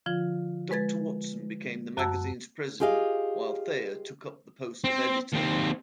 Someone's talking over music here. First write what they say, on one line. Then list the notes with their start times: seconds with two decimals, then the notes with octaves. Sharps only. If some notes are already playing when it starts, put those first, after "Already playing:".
Doctor Watson became the magazine's president while Thayer took up the post of editor.
0.06 D3 F3 F4
0.71 G#3 B4 G#6 A6
1.97 F#2 F#4 F#5 A5 E6
2.80 F4 G4 G#4 D#5 F5
4.84 C4
5.33 D#2 C4